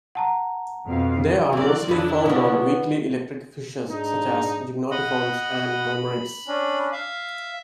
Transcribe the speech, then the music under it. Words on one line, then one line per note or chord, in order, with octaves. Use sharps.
They are mostly found on weakly electric fishes such as gymnotiforms and mormyrids.
F#5 A5 A#5
F2 B2 F5
E3 F#3 C4 A#4 D5
F2 C#3 D4 E4 B4
C#3 B3 C#4
G#2 D4 D#4
D#5 F#5 B5
C#4 D4
E5 F5